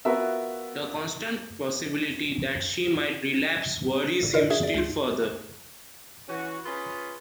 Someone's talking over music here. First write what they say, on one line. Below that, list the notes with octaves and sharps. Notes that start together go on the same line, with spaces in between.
The constant possibility that she might relapse worries him still further.
B3 F4 F#4 A#4 E5
A1 A2 D3
E4 F4 A#4 B4 D5 D#5
F#4 G#4 E5
D5
C#2 F4
E3 C#4 F#4
C#4 F4 G#4 B4